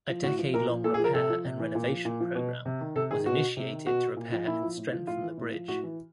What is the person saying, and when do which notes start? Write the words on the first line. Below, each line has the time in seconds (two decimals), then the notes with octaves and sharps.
A decade-long repair and renovation programme was initiated to repair and strengthen the bridge.
0.09 F3
0.24 A2 F#4
0.39 F3
0.53 A#2 A#4
0.69 F3
0.84 A#2 A4
0.94 G#4
0.99 F3 A#4
1.14 C3 A4
1.29 F3
1.45 C3
1.59 E3
1.75 A#2
1.90 F3
2.05 A#2
2.20 F3
2.35 B2
2.65 C3
2.81 D#3
2.96 C3 A4
3.11 D#3 G#4
3.26 B2 F#4
3.57 C3
3.72 D#3
3.86 B2 F#4
4.16 A#2
4.32 F3
4.47 A#2 E4
4.62 F3
4.77 A2
4.93 F3
5.07 A2 F4
5.23 E3
5.38 A2
5.53 F3
5.68 A2 F#4
5.83 E3